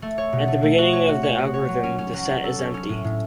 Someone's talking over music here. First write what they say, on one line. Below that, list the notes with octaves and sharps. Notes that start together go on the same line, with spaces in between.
At the beginning of the algorithm, the set is empty.
A3
C#5
B2
A3
A3
F#4
C#5
F#4
C#5
F#4
C#5
F#3
C#4
C#4
F#3
C#4
A4
C#4
C#4
A2
A2